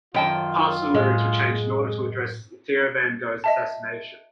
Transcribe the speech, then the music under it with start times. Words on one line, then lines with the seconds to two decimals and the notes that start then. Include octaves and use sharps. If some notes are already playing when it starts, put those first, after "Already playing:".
Parts of the lyrics were changed in order to address Theo van Gogh's assassination.
0.14 F#2 D#3 F4 G5 A5
0.94 A2 G#3
3.44 D#5 E5 A5